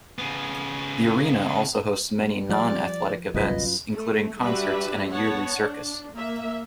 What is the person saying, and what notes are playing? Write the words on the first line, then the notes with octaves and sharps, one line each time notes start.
The arena also hosts many non-athletic events including concerts and a yearly circus.
C#3 B3
G3
F3 D5
G1 C2 F#2 F4 B4 D#5 B6
A3
G3 D4 F#4 G4 B4 E5
B3 C#5 F#5 A5
D4
A#3 E5